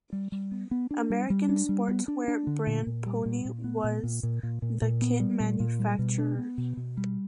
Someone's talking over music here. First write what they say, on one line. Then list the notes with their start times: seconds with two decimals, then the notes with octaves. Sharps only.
American sportswear brand Pony was the kit manufacturer.
0.13 G3
0.32 G3
0.52 B3
0.71 B3
0.91 D4
1.10 G3
1.30 G3
1.49 D4
1.69 G3
1.89 B3
2.08 D4
2.28 D4
2.47 D3
2.67 A#2
2.87 A#2
3.06 G3
3.26 A#2
3.45 A#2
3.64 B3
3.84 A#2
4.03 A#2
4.23 A#2
4.43 A#2
4.62 A#2
4.82 A#2
5.02 B3
5.20 G3
5.40 A#2
5.60 A#2
5.79 G3
5.99 B2
6.18 D4
6.39 B3
6.58 B2
6.77 B2
6.97 G3